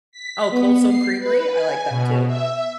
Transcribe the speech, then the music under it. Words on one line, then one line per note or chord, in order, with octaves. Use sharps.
Oh, Cold Stone Creamery? I like them too.
B6
B3
C7
B4
G#5
B2
E5